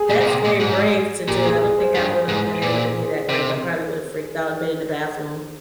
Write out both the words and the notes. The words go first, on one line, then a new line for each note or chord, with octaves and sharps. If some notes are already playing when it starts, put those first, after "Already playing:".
that's very brave to do, I don't think I would have been able to be that brave, I probably would have freaked out and been in the bathroom,
Already playing: G#4
A#2
A#2
C3
A#2
G#2
A#2 G4
G#4
G#4
C5
G2 G#5
G#2
A#2
C3